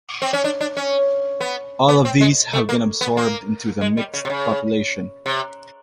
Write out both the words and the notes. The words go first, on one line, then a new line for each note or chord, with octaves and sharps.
All of these have been absorbed into the "mixed" population.
C4
C#4
D4
D4
C#4
B3
B3
C4
G#3
A3
A#3
B3
A#3
G#3
G3
C#3
C3
C#3
C3